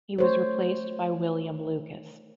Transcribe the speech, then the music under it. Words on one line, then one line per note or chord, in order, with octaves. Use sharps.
He was replaced by William Lucas.
A3 C5 C#5